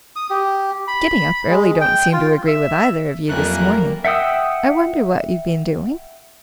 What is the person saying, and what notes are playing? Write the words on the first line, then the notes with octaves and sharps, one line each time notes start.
"Getting up early don't seem to agree with either of you this morning: I wonder what you've been doing?"
D#6
G4
B5
G#3
G5
F4
E5
F2 F#3 G3 A3 A#3 A#4 G#5 F#6
E5 F#5 G5 D#6 E6